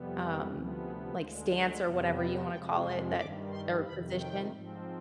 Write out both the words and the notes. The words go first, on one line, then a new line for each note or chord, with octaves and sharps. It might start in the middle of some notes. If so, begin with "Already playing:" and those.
um, like, stance or whatever you wanna call it that or position.
Already playing: F2 C3 G3 B3
D2 C3 F3 B3 G4
G#4
D2 D3 G#3 C5
C5
F2 C3 G3 B3
D5
F2 C3 F3 G#3 G5
C6
G2 D#3 G3 D6
C6
F2 C3 D#3 B5
G5
G#2 F3 C4